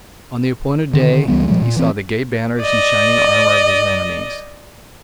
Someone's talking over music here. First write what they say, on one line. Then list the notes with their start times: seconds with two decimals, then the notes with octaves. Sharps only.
On the appointed day he saw the gay banners and shining armor of his enemies.
0.94 D3 D#3 C4
1.28 C#2 E3 G3 B3
1.47 A#2 F3 G3 G#3
1.61 A#2
1.76 E3 C4
2.59 D5 D#5